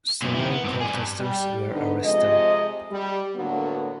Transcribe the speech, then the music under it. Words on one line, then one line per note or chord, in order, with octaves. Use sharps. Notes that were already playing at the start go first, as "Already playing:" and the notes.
Several protesters were arrested.
F#2 A#2
D#3 E4
B3
G2 C4
G3 G#4
G2
G3
D3 B3 D#4
F2 C3 F3 G#3 D#5
G3
A2 D3 F#3 A#3 B3